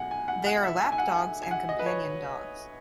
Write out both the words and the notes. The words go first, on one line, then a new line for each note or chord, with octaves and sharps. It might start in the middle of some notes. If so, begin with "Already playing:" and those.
They are lap dogs and companion dogs.
Already playing: C#2 B2 F#3 F#5 G#5
G#5
F#5
F#5
E5
G#5
G#5
F#5
G#5
G#5
F#5
D#5
B4
C#5